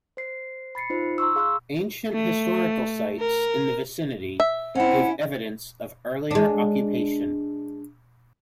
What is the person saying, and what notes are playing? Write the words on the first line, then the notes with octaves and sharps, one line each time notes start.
Ancient historical sites in the vicinity give evidence of earlier occupation.
C5 C7
B5 A6 C7 C#7
D#4 F4 C5
A#5 C6 C#6 E6
G#4 F5 C6 C#6 E6 F#6
A3
A#4
E5
C4 C#4 E4 F#5
G#3 D4